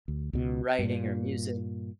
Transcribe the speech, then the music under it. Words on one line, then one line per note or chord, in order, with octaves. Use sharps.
writing, or music?
D2
C#2 B2
G2 A#2